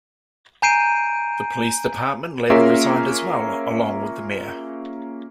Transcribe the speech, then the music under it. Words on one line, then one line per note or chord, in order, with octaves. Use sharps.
The police department later resigned as well along with the mayor.
G#5 A#5 G6 C7 D7 D#7
A#3 C#4 F4 G#4 A#4 E5